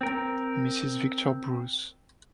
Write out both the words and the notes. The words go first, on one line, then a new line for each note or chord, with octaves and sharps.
Mrs Victor Bruce.
C4 A#4